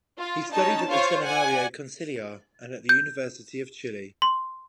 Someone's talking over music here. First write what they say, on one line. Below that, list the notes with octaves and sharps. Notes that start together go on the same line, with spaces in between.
He studied at the Seminario Conciliar and at the University of Chile.
F4
C#4 D#4 A5
F4 C5 C#5 F5
D5 F#5 G#5
G6
C6